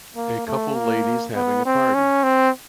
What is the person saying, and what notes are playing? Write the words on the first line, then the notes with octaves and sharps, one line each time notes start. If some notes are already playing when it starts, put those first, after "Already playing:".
A couple ladies having a party.
A#3
A3
A#3
B3
C4
C#4
C4